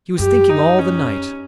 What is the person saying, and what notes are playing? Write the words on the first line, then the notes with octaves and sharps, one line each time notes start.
He was thinking all the night.
F#2 G4
D#4
C#4